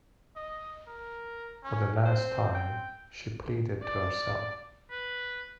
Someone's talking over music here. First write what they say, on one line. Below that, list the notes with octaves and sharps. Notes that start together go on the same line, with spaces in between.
"For the last time," she pleaded to herself.
D#5
A#4
C#4
C4 C5
G5
D5
B4